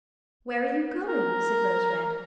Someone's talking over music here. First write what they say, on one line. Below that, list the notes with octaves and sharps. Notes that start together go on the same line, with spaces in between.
"Where are you going?" said Rose-Red.
A#4